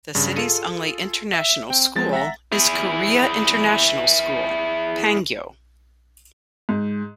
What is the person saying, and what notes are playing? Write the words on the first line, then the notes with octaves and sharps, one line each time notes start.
The city's only international school is Korea International School - Pangyo.
G2 C#3
F4 G#4 A4 C#7 D#7
E5
C4 G5
F3 G#3 C4 A6
E5 F#5 A#5 A#6 B6
E4 G#4
G#2